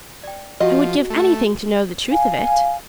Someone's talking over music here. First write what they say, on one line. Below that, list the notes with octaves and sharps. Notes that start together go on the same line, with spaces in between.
I would give anything to know the truth of it.
D5 G5
F3 F#4 G4 D#5 F#5
A3
F5 G#5